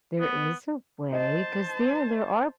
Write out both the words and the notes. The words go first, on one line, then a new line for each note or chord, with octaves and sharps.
There is a way, 'cause yeah, there are b
B3
C5 D#5 A5